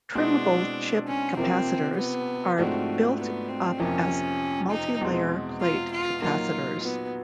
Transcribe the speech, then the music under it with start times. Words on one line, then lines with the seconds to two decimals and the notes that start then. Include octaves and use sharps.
Trimmable chip capacitors are built up as multilayer plate capacitors.
0.15 B2 G#3 C4 D4 E4
1.07 C#4
1.37 C3 F3 A#3 C4
1.97 B3
2.58 G#2 F3 A3 C4 D4 F#4
3.19 B3
3.49 C4
3.79 F2 C3 F3 A#3 C#4
4.70 D#4
5.01 E2 B2 G#3 C4
5.61 F4
5.91 F4
6.22 A#2 F#3 A#3 D#4 F4
6.83 B3